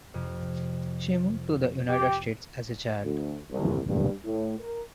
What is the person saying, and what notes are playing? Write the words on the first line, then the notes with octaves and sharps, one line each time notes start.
She moved to the United States as a child.
F2 C3
G4
D2
C2
G2
A2
A#4